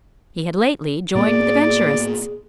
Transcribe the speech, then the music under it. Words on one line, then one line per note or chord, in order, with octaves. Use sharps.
He had lately joined the Venturists.
A2 A#3 B3 G#4 D5